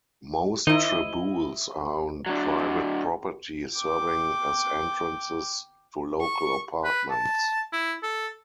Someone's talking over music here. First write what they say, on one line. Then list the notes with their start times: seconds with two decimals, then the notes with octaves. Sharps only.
Most traboules are on private property, serving as entrances to local apartments.
0.67 D#3 E4 C5 D#5
2.26 D3 F#3
3.77 G5 D6
6.21 C#6
6.84 B4
7.10 A5
7.72 E4
8.03 A4